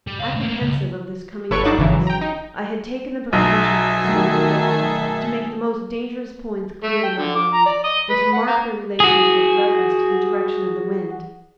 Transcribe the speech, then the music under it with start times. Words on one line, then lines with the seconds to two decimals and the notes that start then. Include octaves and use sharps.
Apprehensive of this coming darkness, I had taken the precaution, when the storm began, to make the most dangerous points clear to my mind, and to mark their relations with reference to the direction of the wind.
0.07 G3
0.19 C#2 F5
0.36 A3 A#3
0.62 C#2
1.51 G1 A4 B4 C#5 C#6 D7
1.64 D4 D#4 D6 F#6 E7
1.78 G#1 C#3 E3
1.92 F#3
2.07 G5 A#5
2.21 D#4
3.33 B1 G#4 A4 E5
4.04 D#3 F#3 A3
6.83 A3
7.03 G5
7.18 D3
7.35 D6
7.53 A#5
7.66 D5
7.84 D#5
8.10 B4
8.33 F#5
8.47 A#3
9.00 F#4 G#4